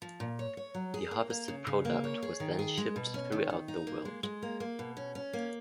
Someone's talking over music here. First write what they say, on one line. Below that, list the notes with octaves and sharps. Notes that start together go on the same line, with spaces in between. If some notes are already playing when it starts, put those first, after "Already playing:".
The harvested product was then shipped throughout the world.
F3
A#2
C#5
C#5
F#3
G#4
A#3
A#3
C#3
C#3
A#3
C#5
G#4
D#3
G#4
G#3
B2
C#4
D#3
D#3
D#4
A#3
G#3
G#3
A#3
A#3
B2
C#4
C#4
A#3